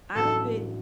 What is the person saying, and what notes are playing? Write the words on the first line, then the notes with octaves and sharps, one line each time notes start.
I'm a big
A1 G2 F#3 A4